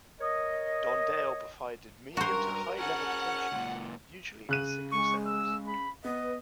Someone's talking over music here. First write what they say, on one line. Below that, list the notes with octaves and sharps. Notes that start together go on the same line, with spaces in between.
Don Dale provided medium to high level detention, usually in single cells.
A#4 C#5 D#5
G2 F#4 A#4 C5
C#4 G#4 A#4 F#5
C#2 A#2
C#3 F#6 D#7
G#3 C#6
E6
B5
B3 B4 D#5